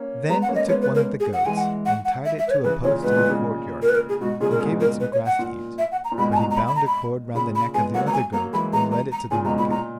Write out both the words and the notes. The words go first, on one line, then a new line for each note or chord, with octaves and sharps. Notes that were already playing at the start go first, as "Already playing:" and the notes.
Then he took one of the goats and tied it to a post in the courtyard, and gave it some grass to eat; but he bound a cord round the neck of the other goat and led it to the market.
Already playing: A#3 C#4
G#3 B3 A#5
F#5
A#3 C#4
D#5
G#3 B3 C#5
B4
A#4
G#4
F#5
E3 G#3 G#5
F#5
F#5
F#5
E5
E5
B4
C#5
C#3 E3 B4
A#2 C#3 C#5
G#2 B2 B4
A#2 C#3
A#2 C#3
A#4
B4
A#4
G#4
G#2 B2 F#4
A#2 C#3 G#4
C#3 A#4
G#2 B2 G#4
A#4
B4
C#5
F#5
A#2
E5
F#5
A#5
A#2
G#2 B2 B5
G#5
A#5
A#5
B5
B5
A#5
B5
A#2 C#3 B5
B5
G#3 B3 G#5
F#3 A#3 F#5
A#5
G#5
F#3 A#3 A#5
E3 G#3 B5
G#3 B3 A#5
A#5
A#5
A#2 C#3 G#5
G#2 B2 A#5
A#2 B5
A#2 A#5